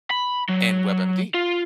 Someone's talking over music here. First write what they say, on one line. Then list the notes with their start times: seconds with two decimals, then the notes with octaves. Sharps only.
and WebMD?
0.11 B5
0.49 F#3
1.34 F4